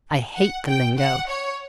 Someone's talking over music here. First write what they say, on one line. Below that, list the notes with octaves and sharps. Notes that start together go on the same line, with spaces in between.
'I hate the lingo.
F#5
G5
F#5
C#5